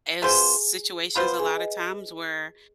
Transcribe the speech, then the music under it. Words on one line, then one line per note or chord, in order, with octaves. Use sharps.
as situations a lot of times where
B2 B3 F4 G#4 C5 G#5
B2 B3 F4 B4 C5 B5
G#4 G#5
D#5